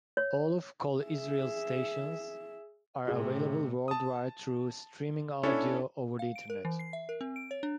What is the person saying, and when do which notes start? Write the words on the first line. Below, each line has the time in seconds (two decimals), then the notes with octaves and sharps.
All of Kol Israel's stations are available worldwide through streaming audio over the Internet.
0.17 C#5
1.03 G#4 E5
3.08 A2 C3 G#4
3.88 A5 D#6
5.43 C#4 D4 E4 A4 C#5
6.19 F5
6.36 D7
6.50 A#4
6.65 E3
6.79 C7
6.93 E5
7.09 A#4
7.21 C4
7.36 D7
7.51 C#5
7.63 D4